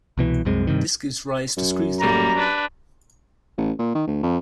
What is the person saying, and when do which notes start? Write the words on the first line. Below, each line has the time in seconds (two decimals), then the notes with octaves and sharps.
This gives rise to screw theory.
0.18 C2 B2 E3
0.45 C2 F#2 C3 G#3
0.67 G2 C3 D#3
1.57 F#2
2.00 G3 A#3 A#5
2.36 D4 B4
3.58 A1
3.79 A#2
3.95 D#3
4.07 D2
4.23 F2